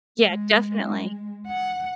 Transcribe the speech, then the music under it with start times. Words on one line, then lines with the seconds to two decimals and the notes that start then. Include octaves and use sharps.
Yeah, definitely.
0.21 G#3
1.47 F#5